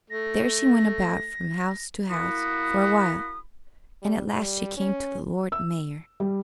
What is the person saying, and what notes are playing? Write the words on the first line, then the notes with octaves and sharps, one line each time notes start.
There she went about from house to house for a while, and at last she came to the Lord Mayor.
A3 A#6
A#3 E4 F#4 B5 D#6
G3
G3
C#4
E6
G3